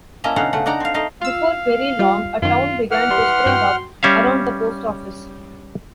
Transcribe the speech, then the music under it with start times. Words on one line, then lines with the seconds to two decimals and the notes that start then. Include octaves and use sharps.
Before very long a town began to spring up around the post office.
0.24 A#3 C#4 E4 D#5 A5 A#5
0.36 B2 D3 C#4 D#4 F5 F#5
0.53 C#3 A3 F#5
0.66 D4 D#4 D5 F#5 A#5
0.80 C4 F5
0.94 A3 D#4 D#5 F5
1.21 F4 F5 E6
1.99 G3 F4
2.42 F#2 D#3 F4
2.91 E3 F#5 F6
3.10 G3 C6
3.46 G2 F#4 G5
4.03 G3 C#4 E5 F5